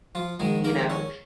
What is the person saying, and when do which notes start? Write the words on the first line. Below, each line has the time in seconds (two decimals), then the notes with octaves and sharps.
you know?
0.15 F3 F4
0.40 A#1 G#2 D#3 G#3 G#4
0.64 A#3 A#4
0.90 C#4 C#5